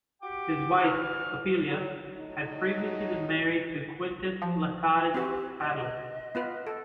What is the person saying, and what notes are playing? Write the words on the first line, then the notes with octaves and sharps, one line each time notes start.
His wife, Poppilia, had previously been married to Quintus Lutatius Catulus.
F#4 G4 G5 D6
D2 E3 E4 F6
F#3
A2 F#3 D#4
F3
C4 E4 F#4 G4
D#5
B3 F4 B4
A4